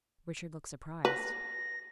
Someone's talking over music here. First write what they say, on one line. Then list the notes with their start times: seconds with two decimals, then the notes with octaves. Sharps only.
Richard looked surprised.
1.05 B4 A#6